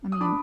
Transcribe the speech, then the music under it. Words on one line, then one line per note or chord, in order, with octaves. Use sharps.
I mean,
D#6
D4 B5 D6